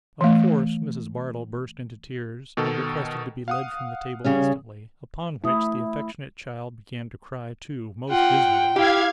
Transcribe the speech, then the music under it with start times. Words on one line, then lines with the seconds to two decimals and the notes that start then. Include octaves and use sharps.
Of course Mrs. Bardell burst into tears, and requested to be led from the table instantly; upon which the affectionate child began to cry too, most dismally.
0.21 E3 A3
2.57 B2 D#3 A4
3.48 F5 F#5 D#6
4.24 C#3 G3 C#4
5.44 A3 E4 D#6
8.11 F4 F#5 G5
8.76 E4 G4 F5 G#6